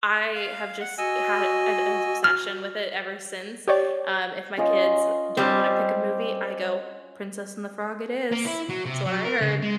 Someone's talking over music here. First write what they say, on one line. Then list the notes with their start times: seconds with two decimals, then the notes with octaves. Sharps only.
I have just had an obsession with it ever since, um, if my kids don't wanna pick a movie, I go, "Princess and the Frog it is." That's what I heard.
0.36 F5
0.80 F#5
0.98 F#4 D#5 G#5 E6
2.24 F6
3.68 G4 C#5 D5
4.57 C#4 F4 D#5
5.37 G3 C4
8.32 A#3
8.45 E4
8.69 F#3
8.85 C3
9.06 F#3
9.25 A#4
9.41 C#3
9.62 G#3